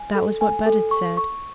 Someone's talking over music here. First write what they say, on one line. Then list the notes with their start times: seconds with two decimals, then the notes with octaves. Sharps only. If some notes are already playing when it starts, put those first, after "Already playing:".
That was what Budd said.
Already playing: G#5
0.15 A4
0.41 G#5
0.66 A4
0.91 C#6
1.17 C#6